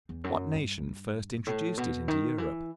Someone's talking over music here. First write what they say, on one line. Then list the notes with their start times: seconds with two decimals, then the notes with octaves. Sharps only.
What nation first introduced it into Europe?
0.09 E2
0.24 F#2
0.55 G2
1.47 A2
1.78 B2
2.08 D#3
2.38 E3